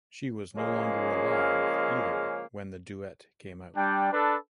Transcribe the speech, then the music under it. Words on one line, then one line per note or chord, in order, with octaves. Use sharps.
She was no longer alive either when the duet came out.
C#3 F3 G#3 A#3 C#4 G#4
G3 D4 G5
D4 A4 B4